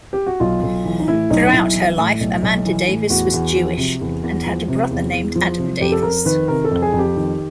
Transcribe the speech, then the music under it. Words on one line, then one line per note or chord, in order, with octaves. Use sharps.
Throughout her life Amanda Davis was Jewish and had a brother named Adam Davis.
G4
F#4
B1 F4
B1
E3
D#4
A2 E4
B1 D#4
D#4
B1 E4
E3
A2
B1
B1
E3
A2
E2 F#4
E2
F3
C3
E2
E2
F3
C3
E2
E2
F3
C3
F2 G4
A4
F2 A#4
D#3 B4
C3 A#4
A4
F2
G#4
F2
G4
D#3